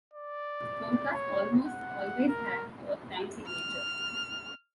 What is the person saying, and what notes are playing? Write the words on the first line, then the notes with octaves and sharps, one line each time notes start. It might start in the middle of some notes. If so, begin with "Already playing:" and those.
Polkas almost always have a time signature.
D5
C#5
F#5
A#4
F6